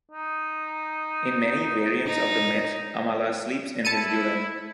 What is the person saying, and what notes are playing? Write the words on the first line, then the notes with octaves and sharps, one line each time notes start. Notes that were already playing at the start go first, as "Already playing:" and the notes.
In many variants of the myth, Amala sleeps in his urine.
D#4
D#4
E4 A5 C#7 D#7